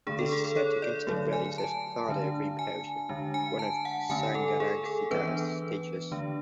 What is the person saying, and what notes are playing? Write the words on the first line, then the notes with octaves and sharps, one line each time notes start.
This is said to contain relics of Dhardo Rimpoche, one of Sangharakshita's teachers.
D3 A3 D4 G#4
A4
G#4
A4
C#5
D5
D3 F#3 A3
G#5
A5
D3 A3 D4
G#5
D3 G#3 D4
G#5
A5
F#5
D3 A3 C#4 G#5
A4
G#4
A4
E3 B3 D4 B4
D3 A3 D4